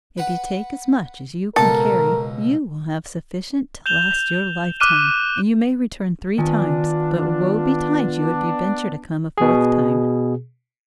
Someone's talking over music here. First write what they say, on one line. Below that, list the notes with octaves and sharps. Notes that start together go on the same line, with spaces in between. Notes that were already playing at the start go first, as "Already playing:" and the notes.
If you take as much as you can carry you will have sufficient to last your lifetime, and you may return three times; but woe betide you if you venture to come a fourth time.
B4 F#5
C#2 B2 A4 A#4 D6
G6 E7 F7 G7
D6 F6 F#6 D#7 E7
D#3 B3 D4 F4 G#5
B2 G#4